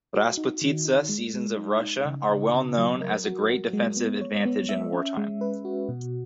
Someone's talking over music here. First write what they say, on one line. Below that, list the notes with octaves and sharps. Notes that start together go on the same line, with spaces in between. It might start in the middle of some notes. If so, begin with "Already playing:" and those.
"Rasputitsa" seasons of Russia are well known as a great defensive advantage in wartime.
F#4
D#4
D#3
D#4
G#3
G#3
D#4
D#4
C#3
C#3
C#3
F#3
A#4
F#4
F#4
G#3
B3
C#5
B3
E5
C#4
G#3
B4
F#4
B2